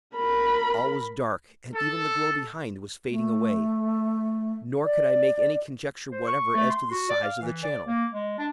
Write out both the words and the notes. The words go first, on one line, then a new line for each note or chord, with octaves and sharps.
All was dark, and even the glow behind was fading away; nor could I make any conjecture whatever as to the size of the channel.
A#4 B5
A4
A3
D5
C5
C#6
A3
C6
F#4
D5
F5
E3
D5
A#3
G#3
D4